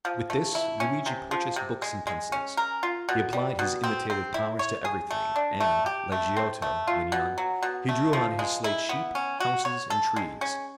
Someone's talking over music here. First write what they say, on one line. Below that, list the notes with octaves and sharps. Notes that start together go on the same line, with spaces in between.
With this, Luigi purchased books and pencils. He applied his imitative powers to everything, and, like Giotto, when young, he drew on his slate sheep, houses, and trees.
F3
A3
E4
C#4
C3
F3
C3
G#3
G#3
C#4
A#4
F4
B2
G3
B2
C4
C4
E4
C#5
G#4
A3
D4
A3
G4
A3
C4
A3
F4
B2
F#3
B2
A3
F3
G#3
E4
B3
C#4
F#4
C#5
A4
G#3
C#4